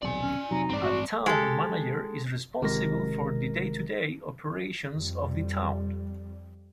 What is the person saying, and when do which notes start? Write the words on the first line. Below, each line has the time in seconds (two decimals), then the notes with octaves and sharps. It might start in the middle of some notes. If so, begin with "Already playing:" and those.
A Town Manager is responsible for the day-to-day operations of the town.
0.03 D#1 B1 C3 D5 G#5
0.22 C#4
0.51 F1 C3 F#3 D#4
0.69 A1 G2 G#3 C4 D5
0.83 F#4
1.26 G#3 G4 A4
2.62 G1 C3 D#3 G#3 A#4 A#6
4.93 F2 G3